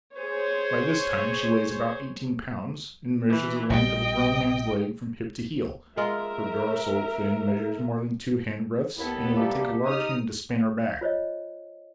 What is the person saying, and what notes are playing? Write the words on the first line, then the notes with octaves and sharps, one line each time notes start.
By this time she weighs about eighteen pounds, and measures the length of a grown man's leg from hip to heel; her dorsal fin measures more than two hand-breadths, and it would take a large hand to span her back.
G#4 C5 C#5
E3
A#1 G3 D#5 G5
G#3 F4 A#4 D#5 E5
D#2 B3 E4 A4
C3 G3 A#3 G4
D#4 D#6 F6
F4 C5 C#5 D#5